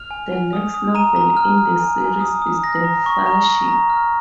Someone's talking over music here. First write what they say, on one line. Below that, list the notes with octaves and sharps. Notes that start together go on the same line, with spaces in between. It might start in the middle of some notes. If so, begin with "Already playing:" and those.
The next novel in the series is "The Fireship".
Already playing: F6 F7
G#5
G#5
D#6
D#6
A#5 D#7
A#5
F6
F6
G#5
G#5
D#6
D#6
F6 A#6
A#5
C#6
A#5
A#5
A#5
F6